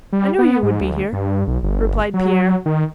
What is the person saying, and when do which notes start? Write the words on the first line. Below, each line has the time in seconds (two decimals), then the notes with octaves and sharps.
"I knew you would be here," replied Pierre.
0.13 G3
0.39 B3
0.63 G#2
0.81 D2
1.13 G2
1.48 B1
1.63 G1
2.14 F#3
2.66 D#3